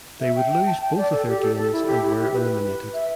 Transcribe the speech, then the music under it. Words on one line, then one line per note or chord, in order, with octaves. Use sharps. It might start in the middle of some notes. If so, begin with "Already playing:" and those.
They would lose both of their games and were eliminated.
E5
G5
G5
A5
G5
D5
A4
G4
A4
A4
E4
G4
E4
G4
B4
E5